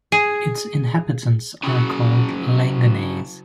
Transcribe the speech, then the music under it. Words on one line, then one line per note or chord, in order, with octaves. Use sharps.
Its inhabitants are called "Langonnais".
G#4
C#3 F#3